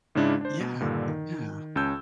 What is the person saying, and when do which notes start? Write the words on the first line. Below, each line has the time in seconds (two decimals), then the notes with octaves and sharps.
Yeah, yeah.
0.15 G#2 C#3 G#3 D4 E4
0.41 D4 C5
0.60 B2
0.80 G2 A#2 D3 D#3
1.08 D#3
1.76 C#2 C#4 A5 E6 G6